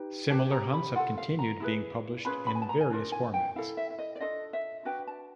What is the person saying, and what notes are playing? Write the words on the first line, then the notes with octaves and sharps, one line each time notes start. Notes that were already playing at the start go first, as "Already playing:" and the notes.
Similar hunts have continued being published in various formats.
Already playing: D#4 G4 B4
D4 G4 B4 A5
A#5
B5
F4 A4 F#5
F5
A#5
E4 G#4 B4
C#4 F4 G#4 B4 B5
B5
G#5
A5
A#5
G#5
D4 F4 A#4
G#5
G5
E4 A4 F5
E5
E5
D#5
D5
D4 F4 A4 D#5
E5
D4 F#4 B4 G5
A5